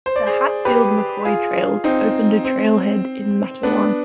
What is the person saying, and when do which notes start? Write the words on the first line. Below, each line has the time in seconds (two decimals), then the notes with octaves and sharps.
The Hatfield-McCoy Trails opened a trail head in Matewan.
0.06 C5
0.16 D5
0.27 G#4 C5
0.65 G4 B4
1.25 F4 G#4
1.84 C4 D#4
2.44 C4
3.63 B3 D4